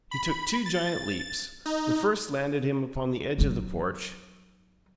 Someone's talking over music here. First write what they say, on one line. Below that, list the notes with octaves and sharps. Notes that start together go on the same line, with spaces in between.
He took two giant leaps. The first landed him upon the edge of the porch.
B5
A6
D#4
F#3 D#4